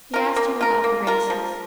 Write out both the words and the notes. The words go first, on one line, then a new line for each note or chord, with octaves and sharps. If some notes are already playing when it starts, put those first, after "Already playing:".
She asked him about the races.
F4 A#4
A#3
F4 A#4
A#3
F4 A#4
F3